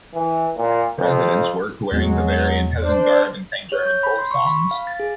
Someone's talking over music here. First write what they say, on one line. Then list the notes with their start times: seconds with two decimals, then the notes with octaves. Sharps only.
Residents worked wearing Bavarian peasant garb and sang German folk songs.
0.14 E3
0.57 A#2
0.99 F2
1.91 E2 F#3 G#3 B3 C4
2.83 D4 C5 D5
3.72 C#5
3.83 G6
4.03 B5
4.19 C6
4.31 C#6
4.46 B5
4.71 F5
4.87 A6
5.00 G#4